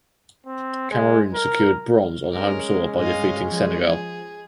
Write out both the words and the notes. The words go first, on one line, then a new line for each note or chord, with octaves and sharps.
Cameroon secured bronze on home soil by defeating Senegal.
C4
G#3
A#4
G#3 C#4 A#4
G2 D#5 F5
F3 G#4